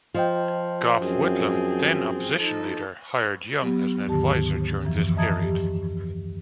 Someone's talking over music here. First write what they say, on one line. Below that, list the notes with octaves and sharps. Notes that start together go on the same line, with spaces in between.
Gough Whitlam, then Opposition Leader, hired Young as an adviser during this period.
F3 F4 D#5 G5
F#2 C4 G#4
D#4 A4
F#3 B3 G4
D#2 G#2 D3 D#3 G4 A5
F#2 E3 F3
D#5 E5 A5 A#5 D#6 G#6
F3 G4